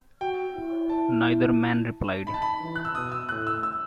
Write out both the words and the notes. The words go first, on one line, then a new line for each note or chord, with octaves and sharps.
Neither man replied.
F#4 G5
E4
A5
D#4 B5
A5
B5
E3
F#6
E6
B2 D#6
E6
A2 F#6
E6
E6